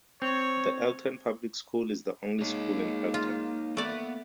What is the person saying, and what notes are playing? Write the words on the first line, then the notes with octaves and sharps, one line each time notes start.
The Elkton Public School is the only school in Elkton.
C4 C#5
G#3 A#3 D#4 C#5
F4
A3 B3 D5